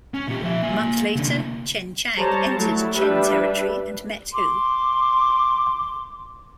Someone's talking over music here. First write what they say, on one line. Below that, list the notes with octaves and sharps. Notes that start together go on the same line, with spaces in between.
A month later, Chen Chang entered Chen territory and met Hou.
C#4
A#2 G4
F3 E5
A#3 G#5
C2 D3
C3 A#3
G3 G4 C5 C#5 A5 A#5
F#3 G3 A3 E4
G3 D4 G4 B4 E5
C6 D6